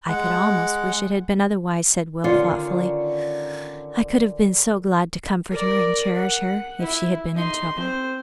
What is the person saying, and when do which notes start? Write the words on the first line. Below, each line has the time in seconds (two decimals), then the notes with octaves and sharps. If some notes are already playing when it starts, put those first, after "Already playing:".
"I could almost wish it had been otherwise," said Will, thoughtfully. "I could have been so glad to comfort her, and cherish her, if she had been in trouble."
0.08 G#3 F#5
2.24 D3 D#3 C#4 F4
5.51 A#4 D5
6.16 F#5
6.80 E4
7.36 D#4 C6
7.78 C4 C5